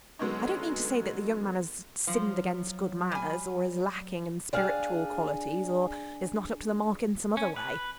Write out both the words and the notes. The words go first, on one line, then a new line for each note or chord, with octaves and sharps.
I don't mean to say that the young man has sinned against good manners, or is lacking in spiritual qualities, or is not up to the mark in some other way.
D3 F#3 G#3 B3 C#4 D#4
F3 F#3
G3 G#5
D4 G#4 F5
C#4
B4